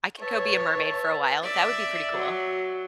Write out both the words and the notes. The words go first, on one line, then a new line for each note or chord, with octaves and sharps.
I could go be a mermaid for a while, that would be pretty cool.
B4 C#5 E5 A5
D5 E5
F#3